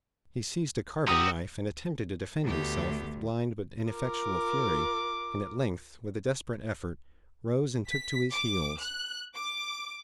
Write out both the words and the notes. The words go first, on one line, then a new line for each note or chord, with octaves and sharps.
He seized a carving-knife and attempted to defend himself with blind but ineffectual fury, and at length, with a desperate effort, rose and took to his heels.
F#4 G4 A#5 D#6 E6
D2 A3 B3 G4
F4 A#4 D6
B6
D6
F#6
D6